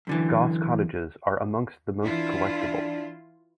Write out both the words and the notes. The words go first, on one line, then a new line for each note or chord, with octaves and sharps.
Goss cottages are amongst the most collectible.
F#2 D3 E3
E3 D4 E4 F4